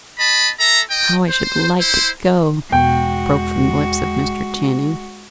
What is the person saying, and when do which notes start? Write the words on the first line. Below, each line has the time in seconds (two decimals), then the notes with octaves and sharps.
"How I should like to go!" broke from the lips of Mr. Channing.
0.19 D#5 A5 B5
0.59 A4 E5 A#5
0.90 D#5 G5
1.29 C5
1.79 E4 C5
2.72 E2 B2 G#3 F#4 G5